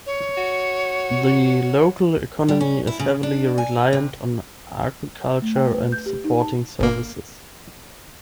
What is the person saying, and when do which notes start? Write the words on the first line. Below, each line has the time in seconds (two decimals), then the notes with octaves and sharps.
The local economy is heavily reliant on agriculture and supporting services.
0.06 C#5
0.37 F#4
2.48 G3
2.61 C#4
2.87 E4
3.00 C#3
3.23 D4
3.58 G#5
3.93 C3
5.42 A3
5.56 G5
5.73 B4
5.92 G6
6.06 G4
6.24 D#4
6.41 A5
6.80 G1 A#3